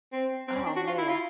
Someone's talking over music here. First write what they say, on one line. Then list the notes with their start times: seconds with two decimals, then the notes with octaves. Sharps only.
Oh, man.
0.13 C4
0.48 C4
0.55 C#4
0.66 D4
0.76 F#4
0.87 F4
0.98 E4
1.09 F4